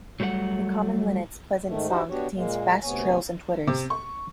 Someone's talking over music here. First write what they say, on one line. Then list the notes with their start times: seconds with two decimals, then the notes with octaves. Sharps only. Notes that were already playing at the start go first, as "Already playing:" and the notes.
The common linnet's pleasant song contains fast trills and twitters.
0.20 F#3 G3 A3 B4 F#5
1.67 G#2 D#3 A3
1.89 D#4 E4 F#4 G4 C5
2.09 B3 D4 F#4 G4 C#5
2.35 A#2 G#3 A#3
2.82 D2 C3 B3 C#5 G#5
3.67 C3
3.90 C#6